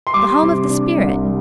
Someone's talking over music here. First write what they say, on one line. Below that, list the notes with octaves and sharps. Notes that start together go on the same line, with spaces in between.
The Home of the Spirit!
C6
G3 D6
C3
D4
C2
G3